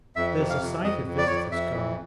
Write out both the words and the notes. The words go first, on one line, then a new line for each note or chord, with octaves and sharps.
There's a sight of visitors come.
F2 E5
C3
F5
F2
F2 D#5
F2
D5
F2 C#5
D5
F2 E5
E3